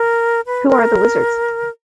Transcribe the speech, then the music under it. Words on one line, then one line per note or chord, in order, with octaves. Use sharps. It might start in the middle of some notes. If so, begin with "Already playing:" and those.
Who are the Wizards?
Already playing: A#4
B4
A#4